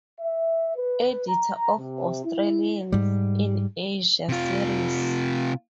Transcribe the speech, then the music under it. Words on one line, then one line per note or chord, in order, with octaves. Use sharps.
Editor of 'Australians in Asia' series.
E5
B4
A#5
C3
E4
G#2 G3
C3 F4